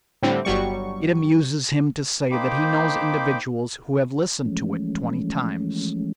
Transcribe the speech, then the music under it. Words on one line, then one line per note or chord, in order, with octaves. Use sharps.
It amuses him to say that he knows individuals who have listened to it twenty times.
A2 D3 G3 C4
G1 F#3 G3 C#6
A#3 D#4 C5 G5 B5 D6
E3 F3 G#3 A3 C#4